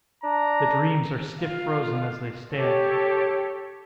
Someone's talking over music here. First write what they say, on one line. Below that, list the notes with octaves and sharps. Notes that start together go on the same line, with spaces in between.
The dreams are stiff-frozen as they stand.
D4 A#5
F4 F5
G4 A4 C#5